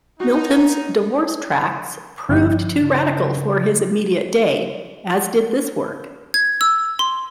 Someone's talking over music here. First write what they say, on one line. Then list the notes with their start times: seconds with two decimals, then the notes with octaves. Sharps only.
Milton's divorce tracts proved too radical for his immediate day, as did this work.
0.20 D#4 F#4
2.29 G1 F3 E4 G4
2.81 C#3
6.34 G#6
6.61 E6
6.99 C6